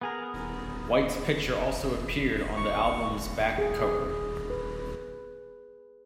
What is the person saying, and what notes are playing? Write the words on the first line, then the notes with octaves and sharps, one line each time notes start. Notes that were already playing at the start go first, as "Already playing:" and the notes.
White's picture also appeared on the album's back cover.
B3 G#4 A#4
C#6
G#4
B4